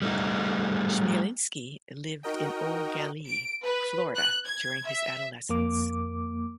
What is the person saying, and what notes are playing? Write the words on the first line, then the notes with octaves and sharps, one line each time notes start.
Chmielinski lived in Eau Gallie, Florida during his adolescence.
G3 A3 D#4
D#4 F#4 A#4 D#5 G5
D7
B4
F#6
G#6
E5
F2 A#3 D6